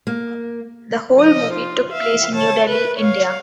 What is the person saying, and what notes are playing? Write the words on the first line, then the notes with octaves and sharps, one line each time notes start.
The whole movie took place in New Delhi, India.
A#3
F3 D#5
F4
E5 F5
C#5 A5
A#4 B4
C#5 F5